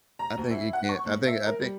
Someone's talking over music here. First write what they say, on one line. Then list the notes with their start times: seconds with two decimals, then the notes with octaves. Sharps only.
I think it can I think I think,
0.19 A#5
0.37 D2
0.51 E4
0.73 F#5
0.89 C#6
1.06 A2
1.27 E5
1.46 A#4
1.60 G3